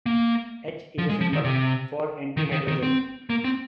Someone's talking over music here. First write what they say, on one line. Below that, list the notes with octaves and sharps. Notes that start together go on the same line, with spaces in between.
H is the symbol for antihydrogen.
A#3
F3
G#3
F3
D#3
C3
D#3
D#3
D#3
C4
A#3
C4